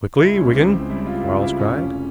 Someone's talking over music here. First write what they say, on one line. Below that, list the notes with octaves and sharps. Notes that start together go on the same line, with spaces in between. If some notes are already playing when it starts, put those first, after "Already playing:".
"Quickly, Wigan!" Quarles cried.
C#2 E4
C#4
C#2 C4
G3 E4
F4
C#3 F4
E4
F1 C#4